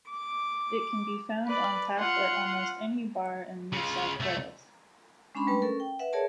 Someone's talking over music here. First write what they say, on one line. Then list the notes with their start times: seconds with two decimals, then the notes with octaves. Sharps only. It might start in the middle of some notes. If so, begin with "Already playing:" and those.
It can be found on tap at almost any bar in New South Wales.
0.10 D6
1.46 B4 D5
1.98 F4 F#5
3.73 C#3 F4
4.20 C2 A3
5.35 G#3 C#4 D4 B5 C6
5.47 G3 A3 B4
5.62 C#4 A4 A#4
5.80 G5
5.99 B4 E5 F#5
6.13 G#4 A#4 C#5 D5 E5 A5